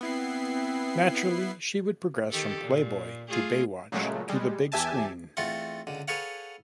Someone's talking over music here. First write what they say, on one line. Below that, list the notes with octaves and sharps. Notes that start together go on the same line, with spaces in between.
Naturally, she would progress from Playboy to Baywatch to the big screen.
B3 C4 E4 C7
D#3 G4 A4
A#2
A3 F4 G#4
A#2 C#3 F#3 G#3 A3
G3 G#3
E2 G4 E5 G#5 A5
E2 A3 C4 F4 A4 F#5
C#2 D3
G#4 A4 B4 C#5 F5 F#5